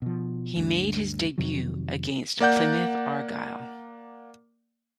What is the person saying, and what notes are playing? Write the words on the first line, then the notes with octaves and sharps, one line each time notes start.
He made his debut against Plymouth Argyle.
B2 F3
D2 G2
F2 C3 D#3 F#3
A#3 D5 F#5 G6